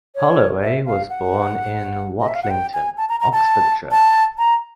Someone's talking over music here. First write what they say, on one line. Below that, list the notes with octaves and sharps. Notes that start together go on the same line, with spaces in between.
Holloway was born in Watlington, Oxfordshire.
C#5
E5
F5
F#5
D#5
E5
F5
F#5
G5
G#5
A5
A#5
A#5
A5
A5
A#5